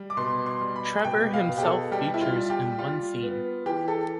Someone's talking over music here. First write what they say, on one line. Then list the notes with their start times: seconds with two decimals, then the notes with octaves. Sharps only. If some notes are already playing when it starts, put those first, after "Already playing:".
Trevor himself features in one scene.
Already playing: G3
0.10 D6
0.17 B2 C6
0.46 C6
0.61 G3
0.76 B5
1.04 B2 G5
1.34 F5
1.48 B2
1.58 G4
1.63 A4
1.91 G3 G4
2.14 E4
2.21 F4
2.35 G3
2.50 G4
2.79 G3 F4
3.22 B3
3.66 E3 G4
3.88 A4